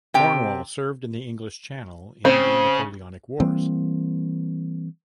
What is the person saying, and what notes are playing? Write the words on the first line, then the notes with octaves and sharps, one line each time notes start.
"Cornwall" served in the English Channel in the Napoleonic Wars.
C3 G5
C#3 C4
E3 G3 A#3 C4